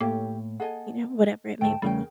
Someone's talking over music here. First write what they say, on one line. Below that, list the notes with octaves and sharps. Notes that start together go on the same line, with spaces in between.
you know, whatever it may be.
A2 A#3 G4 A4 C#5
G#4 A4 D#5 F#5 G#5
D2 G#2 A3 G5 A5
E2 C#3 G3 G#4 A#4 G5